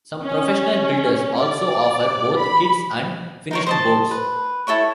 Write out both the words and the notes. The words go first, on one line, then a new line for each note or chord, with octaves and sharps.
Some professional builders also offer both kits and finished boats.
C#4
D5
B5
D#4 A#4 C#5
C5 D#5 A5
B4
E4 A4 C#5 C#6